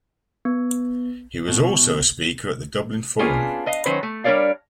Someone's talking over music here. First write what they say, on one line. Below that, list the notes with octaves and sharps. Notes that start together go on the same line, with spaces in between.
He was also a speaker at the Dublin Forum.
B3
B2
A#3 B3 C#4 D4 F4 G#4
B4 D#5 F5
D#3 F#3 C#4 B4 C5
A3
G3 D4 A#4 C#5 D5 F5